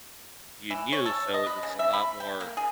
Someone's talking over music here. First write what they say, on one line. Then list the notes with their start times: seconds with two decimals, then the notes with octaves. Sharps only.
you knew, so it was a lot more
0.71 E3
0.93 C#5
1.06 A4
1.34 D#5
1.47 B4
1.63 C#3
1.79 E5
1.93 B5
2.20 G5
2.41 A#3
2.57 G#4